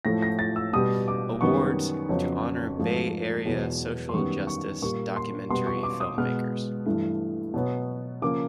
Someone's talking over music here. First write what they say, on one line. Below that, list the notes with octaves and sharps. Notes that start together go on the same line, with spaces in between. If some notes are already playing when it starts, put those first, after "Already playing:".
Awards to honor Bay Area social justice documentary filmmakers.
A2 F3 A3 A#6
A#6
A6
E6
B2 G3 B3 D#6
D6
F#2 D#3 G3 B3 C#6
F2 C#3 F#3 B3
G#2 F3 A3
E2 B2 F#3 B3
C6
F#2 D#3 G3 B3 C#6
C#6
A#2 G3 A#3 C#6
C6
B2 G3 B3 C6
C#6
D6
D#6
B2 G#3 B3 F6
G2 E3 A3
B2 F#3 B3
C#3 F3 A#3 D6